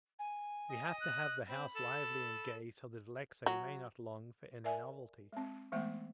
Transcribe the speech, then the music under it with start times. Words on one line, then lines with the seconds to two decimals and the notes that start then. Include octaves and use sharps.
We have to have the house lively and gay, so that Alexey may not long for any novelty.
0.19 G#5
0.70 D#5
1.00 F#6
1.48 C4 B5
1.76 A4
3.46 F#3
4.64 A#4 D5 E5 G#5
5.33 G#3 C4
5.72 E3 G#3 A3 B3